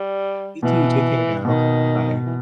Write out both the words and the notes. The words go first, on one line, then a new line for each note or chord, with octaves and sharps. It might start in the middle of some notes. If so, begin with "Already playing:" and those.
You too, take care now, bye.
Already playing: G3
B2 E3
B2 D#3
E3